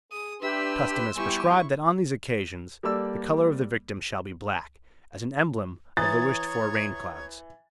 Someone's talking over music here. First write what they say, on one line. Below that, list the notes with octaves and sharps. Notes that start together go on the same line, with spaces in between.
Custom has prescribed that on these occasions the colour of the victim shall be black, as an emblem of the wished-for rain-clouds.
G#4 D#6
D4 G4 B4 E5 C6 E6
G3 B3 E4 G4 G#5 C#6
G3 A#3 A4 D5 E6
E3 C#5 A#5 D#6 A6